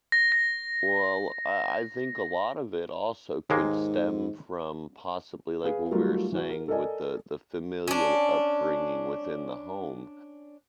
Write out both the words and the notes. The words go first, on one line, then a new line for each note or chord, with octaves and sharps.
Well, uh, I think a lot of it also could stem from, possibly, like, what we were saying with the the familial upbringing within the home,
A#6
A#6
D#2 G#2 G#3 A#3
G#4 B4 F5
F#3 G3 A3 D#4 F4 A#4
E3 F#4
A#4
A4 A#4 D5 D#5 G#5
C#4 D4